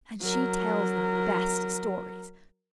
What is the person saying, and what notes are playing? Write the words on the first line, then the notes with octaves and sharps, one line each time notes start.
And she tells the best stories.
F#3 A#4